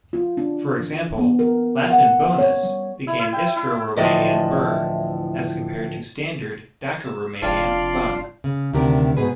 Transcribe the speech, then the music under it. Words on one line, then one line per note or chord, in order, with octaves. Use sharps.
For example, Latin "bonus" became Istro-Romanian "bur", as compared to standard Daco-Romanian "bun".
F4
D4
E3
B3
A#4
F#5
C#5
G3
E4
E4
G5
E4
E6
D2 A2 E3 F3 D#5 A5
E6
F1 F2 D4 F4 D5 F5 C6
C#3
D2 C3 D#3 D4 G4 A#4
G#2 B2 G#4 B4